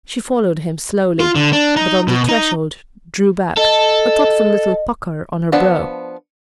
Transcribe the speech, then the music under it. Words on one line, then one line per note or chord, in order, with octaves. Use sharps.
She followed him slowly, but on the threshold drew back, a thoughtful little pucker on her brow.
F4
D3
D4
D#4
B2
D#4
A4 D#5
F3 B3 D4 F#5